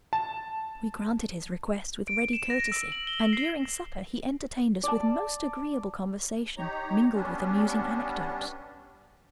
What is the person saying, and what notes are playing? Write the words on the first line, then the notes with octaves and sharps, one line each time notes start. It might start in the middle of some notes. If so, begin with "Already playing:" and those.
We granted his request with ready courtesy, and during supper he entertained us with most agreeable conversation, mingled with amusing anecdotes.
A5
D7
E7
A#6
E6
F#7
G7
C7
D5 A5
D#4 G4 C#5 A#5
G3 B3 C#4 D4